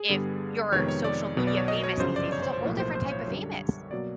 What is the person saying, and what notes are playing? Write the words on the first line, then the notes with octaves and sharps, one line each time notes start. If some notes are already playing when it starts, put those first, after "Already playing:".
if you're social media famous these days. It's a whole different type of famous.
Already playing: G#4
G2 D3 G3 B3
F2 C3 D#3 G#3 B3 C#5
C#5
D5
B1 B2 F#3 B3
D5
C#5
D#5
C#5
G1 F#2 C#3 F3 C5
D5
C#5
C5
C5
B1 A2 F3 A#3
C5
C5
C#5
F#2 D3 G3
B2 F#3 A#3 D5